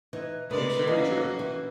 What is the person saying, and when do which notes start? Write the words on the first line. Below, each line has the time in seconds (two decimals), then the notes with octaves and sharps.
Extremely true.
0.13 E3 D#4
0.51 C#3 G#3 A3 D4 A#4 B4 D5
0.88 A#3 C#4 D#4 F#4
1.39 E3